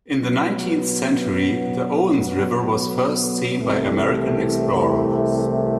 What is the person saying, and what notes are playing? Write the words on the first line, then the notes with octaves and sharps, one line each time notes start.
In the nineteenth century, the Owens River was first seen by American explorers.
B2 F#3 B3
C2 C3 E3 A3